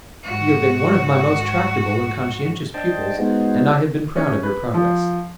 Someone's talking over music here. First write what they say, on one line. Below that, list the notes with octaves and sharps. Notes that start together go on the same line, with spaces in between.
You have been one of my most tractable and conscientious pupils and I have been proud of your progress.
G#2 F#4
D4 C5 D#5 G5 A5
G#3 B3 D#4 F#4 G#4 C5
C#4
B4
F3